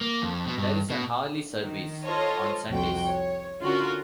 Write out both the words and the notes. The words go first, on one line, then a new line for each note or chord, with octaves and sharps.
There is an hourly service on Sundays.
A#3
F2
B2
G2
B2
D#3
F4 A4 C5 C#5 D#5
C2 F2 F#4 G5
C#5
D3 C#4 F4 F#4 A#4